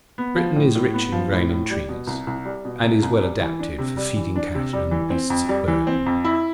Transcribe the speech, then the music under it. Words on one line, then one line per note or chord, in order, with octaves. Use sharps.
Britain is rich in grain and trees, and is well adapted for feeding cattle and beasts of burden.
B3
F3
A2
A2
B3
F3
A2
A2
G3
B2
C2
C2
G3
B2
C2
C2
G3
E3
D4
C3
G3
E3
D4
C3
G3
E3
C4
F2
G3
E3
C4
F2
E4